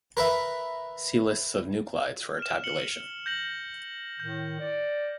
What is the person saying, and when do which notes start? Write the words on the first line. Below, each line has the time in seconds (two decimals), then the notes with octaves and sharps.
See list of nuclides for a tabulation.
0.17 A#4 B4 E5
2.39 F6 E7
2.64 C#7 F#7 G7
3.26 G6 A#6 F#7
4.20 A2 D#3 G6
4.60 D5